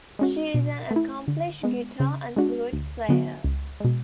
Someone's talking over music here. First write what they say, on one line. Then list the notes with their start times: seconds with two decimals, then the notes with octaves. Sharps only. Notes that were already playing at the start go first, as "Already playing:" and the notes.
She is an accomplished guitar and flute player.
0.19 G#3 C#4 F#4
0.54 B2
0.91 A3
0.96 E4
1.28 D3
1.63 G#3 B3
2.00 C#3
2.36 G#3 D4 F#4
2.73 D2
3.09 D3 F#3 B3 F#4
3.44 C#2
3.80 B2 G#3